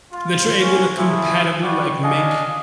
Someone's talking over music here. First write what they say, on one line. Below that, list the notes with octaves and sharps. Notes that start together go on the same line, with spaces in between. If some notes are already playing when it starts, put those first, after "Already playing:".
that you're able to compatibly, like, make
F4
C#4
A3 E4 F4 G#4
G3 F#4
D4 D#5 F5 G#5